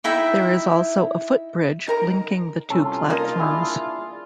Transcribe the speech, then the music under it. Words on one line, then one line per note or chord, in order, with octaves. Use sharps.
There is also a footbridge linking the two platforms.
D#4 E4 E5 G5
D#4 A#4 A#5
C2 C#4 F4 A4
A#3 D#4 D#5
D4 E4 G#4